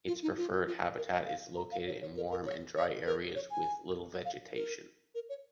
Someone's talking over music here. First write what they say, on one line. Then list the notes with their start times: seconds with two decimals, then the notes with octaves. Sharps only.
Its preferred habitat is located in warm and dry areas with little vegetation.
0.07 F4
0.23 D#4
0.37 F4
0.67 F4
0.97 A#4
1.12 D#5
1.27 F5
1.57 A#5
1.72 F5
1.87 C#5
2.01 C#5
2.16 A#4
2.31 A#4
2.46 C#5
2.76 C#5
3.06 A#4
3.35 C#5
3.50 G#5
4.25 F5
4.55 A#4
5.15 A#4
5.29 C#5